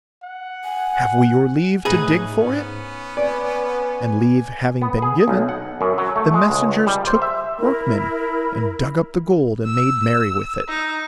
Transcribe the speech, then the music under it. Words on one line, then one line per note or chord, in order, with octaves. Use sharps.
Have we your leave to dig for it?' And leave having been given, the messengers took workmen and dug up the gold and made merry with it.
F#5
G#5
A2 D#4 G#4 B4
G#2 B3 C#4
B4 D5 G#5
B3
G#4
B1
F#5
F#2
F#3
A3
G#3
C#2
G3
C5
E5
E4 A#4 B5
E6
D#4